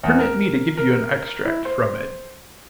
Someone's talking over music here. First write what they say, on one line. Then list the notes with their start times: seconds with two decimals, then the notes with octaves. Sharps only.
Permit me to give you an extract from it.
0.04 E2
0.19 A#4
0.77 A#4
1.45 E4
1.65 C5